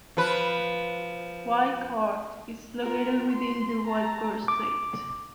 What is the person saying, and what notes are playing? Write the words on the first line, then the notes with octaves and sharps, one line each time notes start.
Whitecourt is located within the Whitecourt-Ste.
F3 B4
F4 A#4
C6
A5 A#5
D6